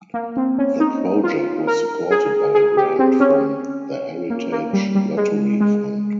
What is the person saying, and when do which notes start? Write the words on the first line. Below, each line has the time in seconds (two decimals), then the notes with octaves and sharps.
The project was supported by a grant from the Heritage Lottery Fund.
0.14 A#3
0.37 C4
0.59 C#4
0.80 D#4
1.24 F4
1.67 A#4
2.11 G#4
2.55 G#4
2.77 G4
2.99 C4
3.20 C#4
4.30 A#3
4.52 A#3
4.73 G3
4.95 G3
5.17 G#3
5.61 G#3